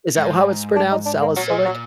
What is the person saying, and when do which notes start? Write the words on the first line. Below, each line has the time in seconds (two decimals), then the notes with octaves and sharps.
Is that how it's pronounced, salicylic?
0.17 G#2
0.76 D4
0.92 D#4
1.06 D4
1.22 A#3
1.36 A#2 F#3
1.50 G#3
1.65 F#3